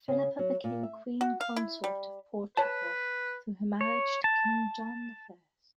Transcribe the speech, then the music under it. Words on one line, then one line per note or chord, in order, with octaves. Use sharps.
Philippa became Queen consort of Portugal through her marriage to King John the First.
C#3
F#3
A#2
E5
F#4
F5
E4
G3
B4 C#5 A5
C#5
A5